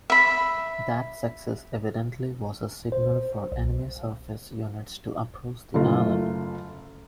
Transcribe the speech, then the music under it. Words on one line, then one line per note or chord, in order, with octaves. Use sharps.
That success evidently was a signal for enemy surface units to approach the island.
E5 B5
C5
B1
F#1 A3 F4